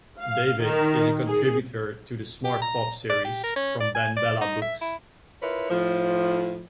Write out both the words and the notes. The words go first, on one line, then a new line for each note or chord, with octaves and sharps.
David is a contributor to the Smart Pop Series from BenBella Books.
F5
D#3
G#4
G4
A#5
D5
G4
A#4
C#4
D5
G#5
D5
D#4
E5
E4
E4 F4 A#4 B4 C#5
A2 F3